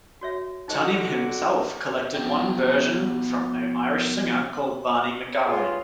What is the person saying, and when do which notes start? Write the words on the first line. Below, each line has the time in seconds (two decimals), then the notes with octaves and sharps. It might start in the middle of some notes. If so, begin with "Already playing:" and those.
Tunney himself collected one version from an Irish singer called Barney McGarvey.
0.21 F#4 C#5 E5
0.68 A#2 D3 D#4 F#4 C5 D#5
2.14 F3 B3 E4 F#4 E5 G5
5.46 F4 G#4 B4 C#5